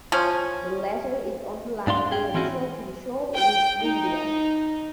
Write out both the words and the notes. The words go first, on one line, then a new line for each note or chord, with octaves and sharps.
The latter is on the Line of Actual Control with India.
F3 C#4
G#2 D4 F5 C6
C#4 G#4 G5
E3 C4 C#4 E4 F#4 G#4
G5
D#4